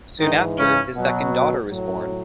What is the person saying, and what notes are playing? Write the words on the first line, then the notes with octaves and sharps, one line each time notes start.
Soon after, his second daughter was born.
G#2 D#3 E3 D#4
C#3 C#4
B2 F#3
A2 F#3